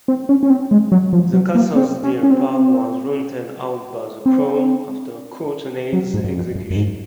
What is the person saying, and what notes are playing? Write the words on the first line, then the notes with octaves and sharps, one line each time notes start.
The castle's deer park was rented out by the Crown after Courtenay's execution.
C4
C#4
C#4
C4
G#3
F#3
F3
F#3
A#3
C4
C#4
C#4
C4
C4
F#3
G#2
F#2
F2
F#2
F#2
G#2